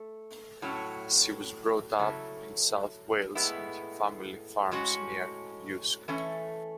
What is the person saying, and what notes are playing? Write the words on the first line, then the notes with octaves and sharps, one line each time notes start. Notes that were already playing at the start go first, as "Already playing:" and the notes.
She was brought up in South Wales and her family farms near Usk.
Already playing: A3
A2 F#3 C#4
C#3 F#3 A3 E4
A2 G#3 B3 E4
A2 G#3 C#4 F#4
E3 A3 C#4